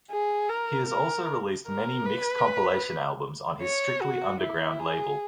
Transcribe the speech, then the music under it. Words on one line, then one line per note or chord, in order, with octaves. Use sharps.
He has also released many mixed compilation albums on his Strictly Underground label.
G#4
A#4
A#4
A#4
B4
C#5
F#4
E4
G#4